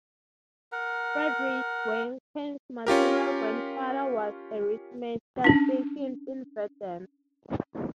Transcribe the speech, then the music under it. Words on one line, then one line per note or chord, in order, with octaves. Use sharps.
Friedrich Wyneken's maternal grandfather was a Rittmeister stationed in Verden.
A#4 F#5
C#4 F4 G4 A#4
C#4 D4